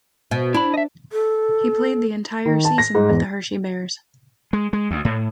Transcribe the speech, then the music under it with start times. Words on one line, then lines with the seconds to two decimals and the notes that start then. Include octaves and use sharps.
He played the entire season with the Hershey Bears.
0.31 B2
0.54 D4 E4 B5
0.74 D#5 E5
1.12 A4
2.46 D#3
2.65 A5
2.78 A#6
2.95 G#2
3.09 E2
4.53 G#3
4.73 G#3
4.91 D2
5.05 A2